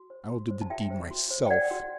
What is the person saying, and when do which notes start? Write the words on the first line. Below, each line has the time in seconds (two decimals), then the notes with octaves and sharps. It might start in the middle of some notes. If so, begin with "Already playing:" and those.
"I'll do the deed myself."
Already playing: F#4
0.10 C5
0.30 F#4
0.50 C5
0.62 A5
0.70 F#4 E5 G5
0.90 C5
1.11 F#4
1.31 C5
1.46 G5
1.50 C5 D5 F#5
1.71 F#4